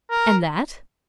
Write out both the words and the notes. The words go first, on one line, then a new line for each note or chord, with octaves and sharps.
"And that?"
A#4